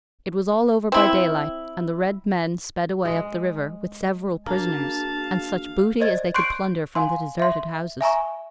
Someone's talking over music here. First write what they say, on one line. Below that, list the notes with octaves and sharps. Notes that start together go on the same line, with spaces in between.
It was all over by daylight, and the red men sped away up the river, with several prisoners, and such booty as they could plunder from the deserted houses.
C4 E4
G#3
A#3 D4 F#4 G#4 F5 A5
C5 D5 D#5 G#6 A6
C6 C#6 F#6 G6 C7 D7
F5 G#5 C6
E5 C6
E5 G#5 A#5 C#6